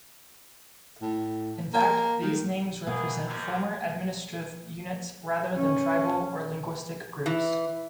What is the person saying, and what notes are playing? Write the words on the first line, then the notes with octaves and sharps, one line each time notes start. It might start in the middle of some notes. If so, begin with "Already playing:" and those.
In fact, these names represent former administrative units rather than tribal or linguistic groups.
A2
A#3
D#3
B2 E3 A#3 G#4
F#2 C3
C#4
E3